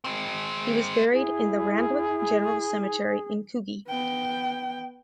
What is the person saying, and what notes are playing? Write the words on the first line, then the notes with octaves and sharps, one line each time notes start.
He was buried in the Randwick General Cemetery in Coogee.
G#3 C4
E4 G#4
B3 G5